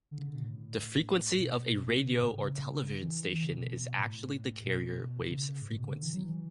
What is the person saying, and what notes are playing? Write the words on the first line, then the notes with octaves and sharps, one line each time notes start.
The frequency of a radio or television station is actually the carrier wave's frequency.
D3
C#3
D3
B2
A2
B2
C#3
B2
A2
C#3
E3
E3
C#3
B2
A2
B2
C#3
G#2
A2
B2
C#3
D3
E3
F#3
E3